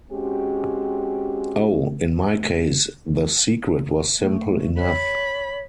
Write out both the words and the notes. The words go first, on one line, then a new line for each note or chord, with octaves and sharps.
Oh, in my case the secret was simple enough.
G#3 C4 C#4 F#4 G4
A3
C#5 B5